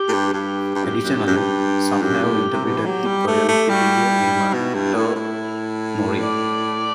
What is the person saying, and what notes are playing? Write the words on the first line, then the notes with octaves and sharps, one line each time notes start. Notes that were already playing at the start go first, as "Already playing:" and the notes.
Additionally, some have interpreted the poem to be a Memento Mori.
Already playing: G4
A2
G2
G2 G4
G2
F#2
F#2
G2
F#2
G2
F#2 G4
A2
C3
B2
E3
F#3 G4
G3
A3
A3
G3 F#4
E4
B2
G2
A2
A2
D5